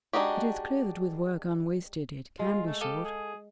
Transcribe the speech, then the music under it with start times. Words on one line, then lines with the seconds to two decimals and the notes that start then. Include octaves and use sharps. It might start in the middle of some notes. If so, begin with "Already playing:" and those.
It is clear that with work unwasted it CAN be short.
0.13 G#3 D4 D#4 F#4 G4
2.39 G#3 F4
2.66 A3
2.81 G4 A4 D#5 F5
3.05 G#4